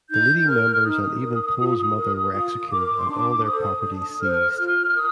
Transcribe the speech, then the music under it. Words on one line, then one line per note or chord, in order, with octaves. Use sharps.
The leading members and even Pole's mother were executed, and all their properties seized.
D#4 G6
A#4 F6
D#4 D#6
A#4
F4
A#4
F4 D#6
A#4 D6
C6
D4 D6
A4 C5 D#6
D4 D#6
A4 C5 F6
F4 F6
A#4 D#6